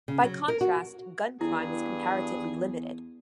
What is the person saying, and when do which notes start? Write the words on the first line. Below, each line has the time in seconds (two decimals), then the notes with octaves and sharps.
By contrast, gun crime is comparatively limited.
0.08 C#3
0.23 F#3
0.48 A#4
0.61 F#4
1.41 E2 G2 E4 G#4